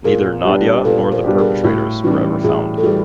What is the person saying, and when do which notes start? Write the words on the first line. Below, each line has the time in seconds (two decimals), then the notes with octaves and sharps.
Neither Nadia nor the perpetrators were ever found.
0.04 A#2 G#4 A#4
0.44 G3 B3 D4 G4
0.85 A#2 A4 B4
1.12 A#4 C5
1.24 G3 B3 D4 G4
1.38 G#4 A#4
1.64 A2 E4 F#4
2.04 E3 G3 C#4 D#4
2.43 A2 F#4 G#4
2.78 A4
2.83 E3 G3 F#4 G#4